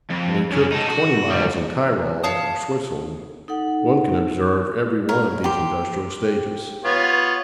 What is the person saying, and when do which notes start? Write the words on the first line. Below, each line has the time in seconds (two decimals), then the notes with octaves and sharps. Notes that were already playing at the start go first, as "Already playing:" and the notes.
In a trip of twenty miles in Tyrol or Switzerland one can observe every one of these industrial stages.
0.10 F2
0.51 F#2 C#4
0.72 D#4 A4
0.88 F#4
1.30 D2 G3
2.23 C#5 F5 A5 D#6
3.48 D#4 A4 F#5
5.09 A#4 C#5
5.44 G4 C6
6.85 B3 F4 C#5